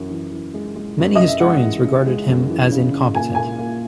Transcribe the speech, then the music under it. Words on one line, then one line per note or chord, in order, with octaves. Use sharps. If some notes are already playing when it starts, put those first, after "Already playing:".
Many historians regarded him as incompetent.
Already playing: F#2 E3
E3
E3
G#3
G#3
F#2
F#2 D#5
E5
G#3 F#5
E3
C#3
G#3
F#2
E3
C#3
C#3
A#2 G#5
A#2 G#5
A#2